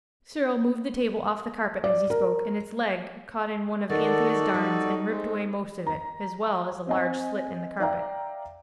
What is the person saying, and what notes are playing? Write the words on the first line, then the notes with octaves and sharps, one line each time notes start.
Cyril moved the table off the carpet as he spoke, and its leg caught in one of Anthea's darns and ripped away most of it, as well as a large slit in the carpet.
D5
A#4
D#3 G#3 D#4 F#4 A4 D5
G3
G#3 C4
A#5
C4 D#5 G#5
D5 E5 F5 G5 A#5